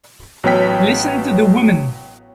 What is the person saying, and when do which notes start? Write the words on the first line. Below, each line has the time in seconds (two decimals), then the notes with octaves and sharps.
Listen to the woman!
0.43 A1 F#3 B3 C#5 G5 B6